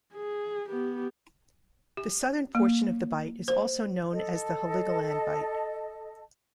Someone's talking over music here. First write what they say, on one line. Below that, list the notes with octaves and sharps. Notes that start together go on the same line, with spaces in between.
The southern portion of the bight is also known as the Heligoland Bight.
G#4
B3 G4
G4
A#3
C5
A4 D#5 A5